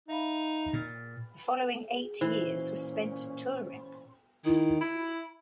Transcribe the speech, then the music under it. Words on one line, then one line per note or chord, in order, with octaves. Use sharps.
The following eight years were spent touring.
D#4 E5 F5 B5
A#2 F6 A6
A#2 E3 C#4 C5
D#3 E4
E4 B5